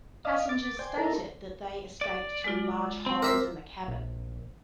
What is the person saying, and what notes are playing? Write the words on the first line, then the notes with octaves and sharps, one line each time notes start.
Passengers stated that they escaped through large holes in the cabin.
D5 D#5 F5
D6 A6
C5 D5 G5 G#5
D#4 E4 A4 A#4 A5 A#5
D5
G#3 F4
C4
A#4 C5 E5 D6
A#1